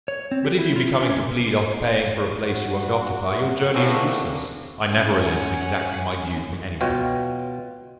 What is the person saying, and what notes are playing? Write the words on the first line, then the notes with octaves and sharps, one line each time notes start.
'But if you be coming to plead off paying for a place you won't occupy, your journey is useless: I never relent in exacting my due from any one.'
C#5
C4
G4
E4
F4
C#4
F#4
A2 A#3 C4 D4 F#4 G#4
C#4 F#5
B2 F4 C#5 G5